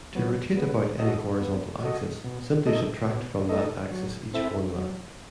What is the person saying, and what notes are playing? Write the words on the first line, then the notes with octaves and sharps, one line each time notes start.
To rotate about any horizontal axis, simply subtract from that axis each formula.
F#3 B3
B3
F#4 A4 D#5
B3
F#4 A4 D#5
B2
A3 D#4 A4 D#5
B2
A3 D#4 A4 D#5
F#3
C4 E4 A4 E5
F#3